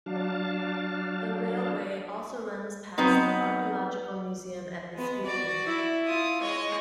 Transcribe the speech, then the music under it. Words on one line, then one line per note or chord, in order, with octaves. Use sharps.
The railway also runs past the archaeological museum at Biskupin.
F#3 D4 F5 A5
F#3 B3 C4 D#4
G#3 B3
F#4 D5
E4
F4 D#6
G#3 C#5 D#5